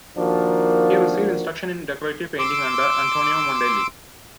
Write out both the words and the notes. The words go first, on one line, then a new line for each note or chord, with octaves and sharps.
He received instruction in decorative painting under Antonio Mondelli.
D#3 F3 A#3 D4 F#4 A#4
C6 D6 E6